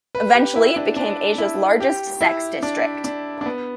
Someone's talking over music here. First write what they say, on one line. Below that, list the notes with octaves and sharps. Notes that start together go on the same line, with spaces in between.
Eventually it became Asia's largest sex district.
B4
G4
E4
D4
D4
E4
G4
E4
D4
D4
D4
B3